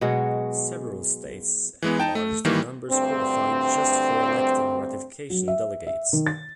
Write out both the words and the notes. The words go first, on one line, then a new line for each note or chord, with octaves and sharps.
Several states enlarged the numbers qualified just for electing ratification delegates.
B2 F#3 G#3 F#4
E3 G#3 B3
D#4 G5 A5
A3
D#3 E3 G3 A#3
D2 G2 C4
F#3
E5
E5
D#3
A6